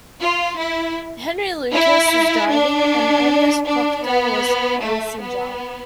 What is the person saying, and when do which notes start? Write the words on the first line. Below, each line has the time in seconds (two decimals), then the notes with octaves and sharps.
Henry Lucas was driving and Ernest Proctor was passenger.
0.21 F4
0.59 E4
1.75 E4
2.52 D4
3.67 D4
4.06 B3
4.83 A3
5.21 B3